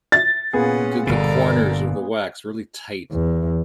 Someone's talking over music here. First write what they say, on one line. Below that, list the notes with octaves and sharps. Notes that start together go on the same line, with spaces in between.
did the corners of the wax really tight,
A6
A#2 B3 C#4 G#4 F#5
G1 B2 A4 A#4 D5
E2